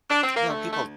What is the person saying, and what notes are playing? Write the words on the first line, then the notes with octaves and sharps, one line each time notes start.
you know, people
D4
C4
A#3
D2 A3
A3